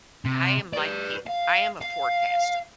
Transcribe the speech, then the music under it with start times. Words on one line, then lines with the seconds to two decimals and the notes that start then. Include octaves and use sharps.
I am like you, I am a forecaster.
0.25 C3
0.73 B4 D5
1.27 F5
1.81 F5